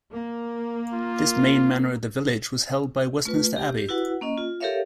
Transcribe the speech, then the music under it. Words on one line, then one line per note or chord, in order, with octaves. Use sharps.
This main manor of the village was held by Westminster Abbey.
A#3
F4
A3 F4 B4
G4
E4 F#4 B4 F#5
A#3 C#4 D#5
F4
G4 A4 A#4 C#5 E5 F5